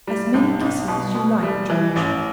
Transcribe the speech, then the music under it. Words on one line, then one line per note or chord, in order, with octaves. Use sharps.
"As many kisses as you like, George."
G3
B1
B1
B2
B2
G3
E3
A1